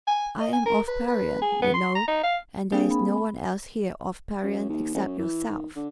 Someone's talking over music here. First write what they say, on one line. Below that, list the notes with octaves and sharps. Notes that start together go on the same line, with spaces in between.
"I am of Parian, you know, and there is no one else here of Parian except yourself."
G#5
D#5
G#5
A#4
B4
B4
G#4
B3
C6
A#5
D#4
F5
A#3 C4 D4 G#4
B5
F#2
D#2
A1
F#2
E3
D#3
D3